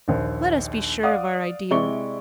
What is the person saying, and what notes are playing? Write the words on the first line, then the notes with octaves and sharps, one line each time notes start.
Let us be sure of our ideal.
A#1 D#2 C5
D5 F5 F#5 D#6
C3 G#3 E4 D5 C#6 G7